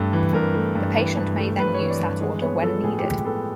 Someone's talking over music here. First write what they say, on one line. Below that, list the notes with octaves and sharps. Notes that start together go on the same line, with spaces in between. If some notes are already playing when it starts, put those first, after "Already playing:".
The patient may then use that order when needed.
Already playing: G2 A3 A4
E3
G2 A#4
A3
G2
E3
G2
A3
G2 B4
C#5
E3
D5
G2
G#3
B3 C#5
F3 A4
A2 G#4
G4
G#3 G#4
B3 A4